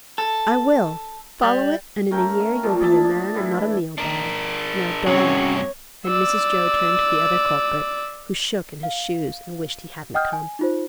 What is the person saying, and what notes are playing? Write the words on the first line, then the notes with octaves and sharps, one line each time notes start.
'I will; follow it, and in a year you'll be a man and not a meal-bag. Now, Dolly'; and Mrs Jo turned to the other culprit, who shook in his shoes and wished he hadn't come.
A4
G3
A3 C#4 A#4 G5
F5
A#2 F3 A3
G#4 D5 E5 A5
D4
A2 E3 E4
D4 A#4
G2 C3 C#4 F#4 G#4 C#5
D5 E6
F5
D#5 F#5 G5 D#6 F6 G6
G#5
D#4 F4 C5